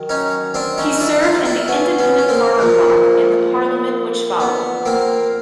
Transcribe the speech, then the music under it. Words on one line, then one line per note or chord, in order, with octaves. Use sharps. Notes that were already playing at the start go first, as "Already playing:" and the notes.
He served in the Independent-Farmer bloc in the parliament which followed.
Already playing: D#3 F#3
C#4 D#4
C4 D4
C#4 D#4
D#4
D4 E4
D#4 F4
D4 E4
B3 C#4
B3 C#4
C#4
A#3 C4
A#2 F3
B3
A#3 C4